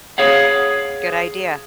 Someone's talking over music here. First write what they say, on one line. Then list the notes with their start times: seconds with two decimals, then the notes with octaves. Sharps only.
Good idea.
0.18 G#4 C#5 F5 F#5